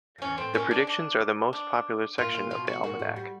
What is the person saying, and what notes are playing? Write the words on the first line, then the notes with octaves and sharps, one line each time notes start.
The predictions are the most popular section of the "Almanac".
F3
E2 E3 C#4
A2 A3 C4
A#2 A#3 C#4
D4
D4
D4
A#2 A#3 F4
F4
B2 B3 F4
F#4
A#2 A#3 F#4
A2 A3
G3